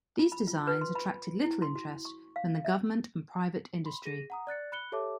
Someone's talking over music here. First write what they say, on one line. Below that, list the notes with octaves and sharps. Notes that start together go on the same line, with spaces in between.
These designs attracted little interest from the government and private industry.
F4
B5
F4
B4
C6
B5
E4
C6
F#4
C#6
F5
E5
B5 C6
G#4 A#6 D#7
F#5 A#5 D#6
D5 F#6 A6 C#7
B5 F#6 C#7 G7
G4 A4 C#5 E5 A5 D6